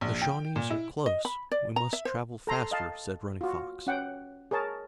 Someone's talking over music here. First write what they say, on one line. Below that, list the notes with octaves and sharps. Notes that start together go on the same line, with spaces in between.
"The Shawnees are close, we must travel faster," said Running Fox.
A#1
G5
A#2
E4
D#5
B5
D5
A#5
E5
C5
A4 A#5 C6
D#5 F5 A5
F4 F#4
C#4 F#5 G5
G#4 A#4 C#5 A5